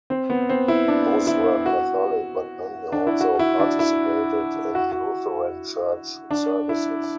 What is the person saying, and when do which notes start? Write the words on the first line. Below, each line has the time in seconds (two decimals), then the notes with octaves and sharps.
Most were Catholic but many also participated in Lutheran church services.
0.10 C4
0.30 B3
0.49 C4
0.68 E4
0.88 D4
1.27 E4
1.66 F#4
2.92 D4
3.07 E4
3.20 F#4
3.39 E4
3.59 D4
3.79 E4
4.75 F#4
4.92 F#4
6.31 D4
6.69 E4